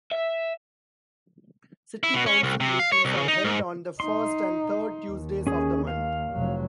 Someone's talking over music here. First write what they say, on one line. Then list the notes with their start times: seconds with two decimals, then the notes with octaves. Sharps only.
City Council meetings are held on the first and third Tuesdays of the month.
0.11 E5
2.03 E4
2.15 B2
2.26 C#4
2.43 C2
2.60 C3
2.79 F5
2.92 C#5
3.05 C2
3.16 C#3
3.28 D#4
3.45 G#2
4.00 D#4 C6
5.09 D#2
5.47 C#4 G#4
5.87 F5
6.33 F1 F#3